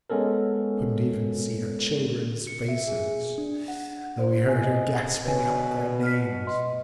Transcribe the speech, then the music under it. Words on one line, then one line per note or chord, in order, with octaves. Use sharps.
She couldn't even see her children's faces, though we heard her gasping out their names.
G#3 B3 C#4 A4 A#4
C#7
E5
G#4
D4
F#5
C5
G#5
D#5
B2 B4 C#5 G#5
F6 B6
D#5 C6